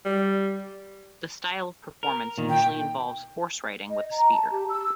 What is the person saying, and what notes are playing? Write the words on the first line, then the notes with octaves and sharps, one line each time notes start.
The style of performance usually involves horseriding with a spear.
G3
A#4
A#2 D#3
G5
D#5
A#5
A5
G4
E6